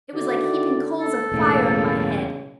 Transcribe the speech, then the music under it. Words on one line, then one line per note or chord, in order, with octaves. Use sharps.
It was like heaping coals of fire on my head.
D3 D#3 E4 F#4 D5
A4
E1 A2 C#3 A#3